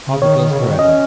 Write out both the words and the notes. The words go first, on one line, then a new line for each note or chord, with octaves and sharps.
Harvey Girls Forever!
C#3
D#3 C#5
D#3
C#3
B2
D#3
C#4 D#5